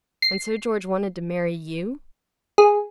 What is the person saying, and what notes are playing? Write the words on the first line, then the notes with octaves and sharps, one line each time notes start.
And so George wanted to marry you!
C7
G#4